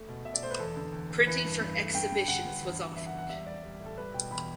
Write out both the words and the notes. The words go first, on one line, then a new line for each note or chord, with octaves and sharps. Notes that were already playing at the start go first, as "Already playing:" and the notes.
Printing for exhibitions was offered.
Already playing: A3
B2
B2 E5
D5
A3 C5
B4
E2 A4
D3
E2
E2
E3 B4
G2
G2
A3
G2 G5
G2
D3 F#5
G2
E2
E2
E2 E5
F#5
E2
F#5
G3 E5
G3 D5
G3
A2
A4
G3 B4
B2 G5
E2 B5